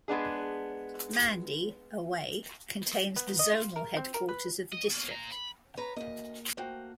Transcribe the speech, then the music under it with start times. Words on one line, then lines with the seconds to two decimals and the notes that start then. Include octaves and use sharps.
Mandi, away, contains the Zonal headquarters of the district.
0.08 G#3 B3 D4 G#4
3.16 B3
3.39 D#5
3.53 F4
3.76 A#4
3.97 C4
4.14 A#4
4.29 B4
4.72 D#5
4.90 B2 A#3
5.10 A#2 A#5
5.32 B5
5.77 B4 C#5 A#5
5.96 D2 A#3 D#5
6.57 A3 A#3 F#4 C5 G5